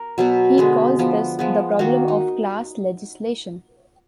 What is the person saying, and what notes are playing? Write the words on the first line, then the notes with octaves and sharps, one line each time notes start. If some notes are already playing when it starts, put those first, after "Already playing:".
He calls this the problem of class legislation.
Already playing: A#4
B2 F#3 B3
D3 G#3 B3
F3 B3
F3 G#3 B3
D#3 A#3 F#4
D#4